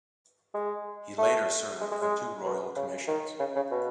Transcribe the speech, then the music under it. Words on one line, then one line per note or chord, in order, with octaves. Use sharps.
He later served on two Royal Commissions.
G#3
A3
G#3
G#3
G#3
B2
C#3
D#3
C#3
C#3
B2